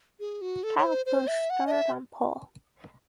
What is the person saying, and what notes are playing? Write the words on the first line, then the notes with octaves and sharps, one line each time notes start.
Kyle Busch started on pole.
G#4
F#4
A4
C#5
C5
C5
E5
F#5
D#5
E5